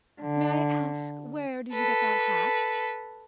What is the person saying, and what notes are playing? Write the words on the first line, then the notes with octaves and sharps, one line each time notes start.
"May I ask where did you get that hat?"
D3
A4 B4